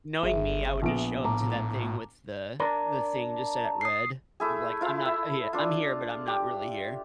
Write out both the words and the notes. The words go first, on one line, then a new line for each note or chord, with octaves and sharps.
Knowing me, I would just show up to that thing with the the thing just set at red, like, I'm not yeah I'm here, but I'm not really here.
G1 G#4 E5
A#1 B3 D7
A2 A5 A#5 D6
D4 A#4 D5
D#6 C7
A3 E4 G#4
E4 F4 F5
E5
D4 F4
G4